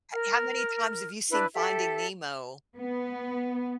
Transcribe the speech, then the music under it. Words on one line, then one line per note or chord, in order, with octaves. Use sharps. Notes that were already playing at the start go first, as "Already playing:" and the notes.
He how many times have you seen Finding Nemo?
A#4 F6
D4 E4 B4
G4 A4 E5
B3